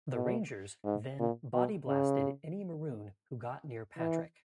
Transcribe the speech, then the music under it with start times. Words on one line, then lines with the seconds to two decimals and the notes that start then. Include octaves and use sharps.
The Rangers then body-blasted any Maroon who got near Patrick.
0.14 B2
0.84 G#2
1.19 A#2
1.53 B2
1.88 C#3
3.98 E3